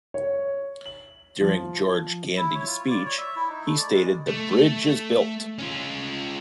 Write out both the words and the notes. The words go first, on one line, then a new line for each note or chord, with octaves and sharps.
During George Gandy's speech, he stated; The bridge is built!
C#5
F#7
F3
E4
C#5
F4
D5
C#5
E5
E4
D#4
A3
D5
G#3
A3
C#4 F4